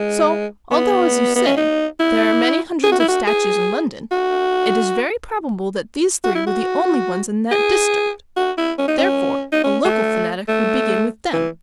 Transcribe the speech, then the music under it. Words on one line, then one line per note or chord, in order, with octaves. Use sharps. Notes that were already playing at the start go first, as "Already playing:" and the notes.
So, although, as you say, there are many hundreds of statues in London, it is very probable that these three were the only ones in that district. Therefore, a local fanatic would begin with them.
Already playing: G#3
B3
B3
C#4
D#4
E4
G#4
F#4
E4
F#4
G#4
F#4
F#4
E4
F#4
G#4
F#4
E4
C#4
D#4
C#4
D#4
C#4
A3
A3
E3